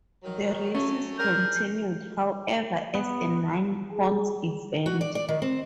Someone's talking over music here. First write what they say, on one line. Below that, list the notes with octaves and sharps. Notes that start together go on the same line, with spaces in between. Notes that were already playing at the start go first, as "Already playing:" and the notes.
The races continued, however, as a non-points event.
D#3 F#3
F#3 A3 C#4
D4 G#4 A#4 G6
B3
G#4
F#4
D5
D5
D#3
C4